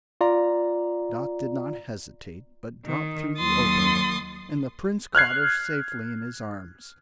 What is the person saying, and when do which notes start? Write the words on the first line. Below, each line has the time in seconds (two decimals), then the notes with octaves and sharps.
Dot did not hesitate, but dropped through the opening, and the Prince caught her safely in his arms.
0.21 F4 D5 A#5
2.84 D#3
3.39 D#2 F#3 C6 D#6 A6
5.15 F6 F#6 G#6 C7